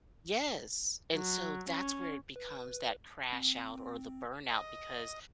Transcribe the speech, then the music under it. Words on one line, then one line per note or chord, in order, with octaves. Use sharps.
yes, and so that's where it becomes that crash out, or the burnout because
F#3
C#4
B4
C4
D#5